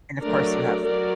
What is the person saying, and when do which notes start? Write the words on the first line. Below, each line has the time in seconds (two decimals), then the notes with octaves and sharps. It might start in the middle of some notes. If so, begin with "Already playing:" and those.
and, of course, you have
0.22 F#3 A3 D4 A#4 D5
0.84 F#3 A#4 D5